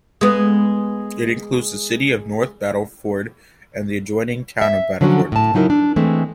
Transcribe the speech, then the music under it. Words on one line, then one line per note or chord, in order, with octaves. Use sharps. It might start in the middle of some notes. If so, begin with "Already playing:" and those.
It includes the city of North Battleford and the adjoining town of Battleford.
G#3 B3
E5
D3 F3 F#3 C#4 F#4
A2 A5
C#3 F#3 D#4 E4 A#4
D4
E3 G#3 A3 C4